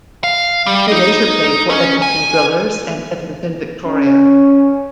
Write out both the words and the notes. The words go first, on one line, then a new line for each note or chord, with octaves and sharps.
He later played for Edmonton Drillers and Edmonton Victoria.
F5
G3
D#4 D#5
C#4
G#5
C#4